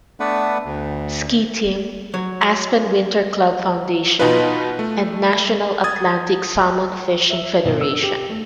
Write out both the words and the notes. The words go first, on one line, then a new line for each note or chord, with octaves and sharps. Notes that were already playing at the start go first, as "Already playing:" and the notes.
Ski Team, Aspen Winterclub Foundation, and National Atlantic Salmon Fishing Federation.
A3 B3 D4 B4 F#5
D2
F#3 C#5
B2 D#4 F4 B4
A3
D#6 G#6 A6
E5
B1
E6
G4
A3